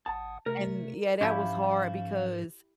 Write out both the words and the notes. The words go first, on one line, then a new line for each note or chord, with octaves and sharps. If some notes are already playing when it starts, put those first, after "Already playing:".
And yeah, that was hard because,
G#1 F#5 A5 D#6
C3 A3 A#4
G#2 F3 C#4 E4 G4 F5